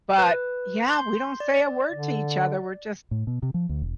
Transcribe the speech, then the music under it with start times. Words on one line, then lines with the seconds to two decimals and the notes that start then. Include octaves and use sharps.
But, yeah, we don't say a word to each other, we're just
0.18 B4
0.89 C6 G6
1.40 D5
1.92 D3
3.11 A2
3.27 B2
3.43 C3
3.54 F3
3.69 D2
3.82 E1